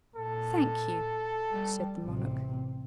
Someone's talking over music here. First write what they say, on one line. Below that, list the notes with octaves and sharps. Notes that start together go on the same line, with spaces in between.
"Thank you," said the monarch.
A#2 A4
G3
A1 C3